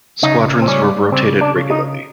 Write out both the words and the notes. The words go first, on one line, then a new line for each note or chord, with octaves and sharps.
Squadrons were rotated regularly.
C#3 D#4
C4
G3 C#4
C#3 C4
D4
C#3
D#4